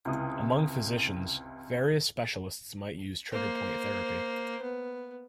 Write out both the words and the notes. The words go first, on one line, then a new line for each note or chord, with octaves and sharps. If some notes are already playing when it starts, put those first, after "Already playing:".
Among physicians, various specialists might use trigger point therapy.
C#2 C3 E4 D#6 F6
A#3 C5
B3